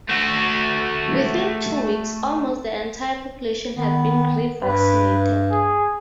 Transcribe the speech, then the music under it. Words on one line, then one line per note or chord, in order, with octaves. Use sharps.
Within two weeks, almost the entire population had been re-vaccinated.
A3 F#4
D#3 B3
G2 B4
G#4